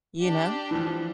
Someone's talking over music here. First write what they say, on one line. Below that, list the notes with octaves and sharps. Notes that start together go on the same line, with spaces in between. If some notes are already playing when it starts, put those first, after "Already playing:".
you know?
D4 G4
E3 F3